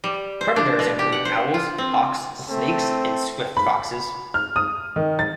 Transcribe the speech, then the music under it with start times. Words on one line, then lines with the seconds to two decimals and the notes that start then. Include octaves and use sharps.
Predators include owls, hawks, snakes, and swift foxes.
0.04 G3
0.41 C5
0.56 D4
0.79 B2
0.99 G4
1.12 F#5
1.25 C5
1.54 F4
1.78 C4
2.50 A3 C4 A5
3.57 B5
4.34 F6
4.56 D#6
4.96 D#3
5.19 A6